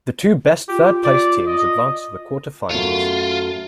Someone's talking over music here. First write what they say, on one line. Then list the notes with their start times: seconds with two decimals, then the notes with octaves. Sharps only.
The two best third-placed teams advanced to the quarter-finals.
0.68 F4 G4
1.04 D5
1.47 D#5
2.70 F#2 A3 F4